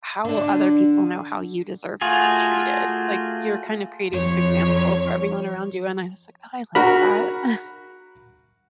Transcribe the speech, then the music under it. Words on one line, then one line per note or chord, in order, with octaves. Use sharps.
how will other people know how you deserve to be treated?" Like, you're kind of creating this example for everyone around you and I was like, "Oh, I like that."
D3 D4
A3 F4 F#4 G#4
F2 C#5
F#4 A#4 B5